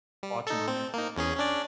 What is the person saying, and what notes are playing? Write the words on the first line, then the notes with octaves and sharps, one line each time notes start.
Watch a movie.
G3
D#4 A4
C4
A#3 D#4
E2 C#4 G#4
C#4 D4 D5